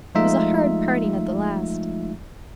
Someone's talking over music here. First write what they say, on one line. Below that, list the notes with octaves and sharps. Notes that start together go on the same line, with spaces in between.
It was a hard parting at the last.
F3 G#3 A3 D#4 F4 E5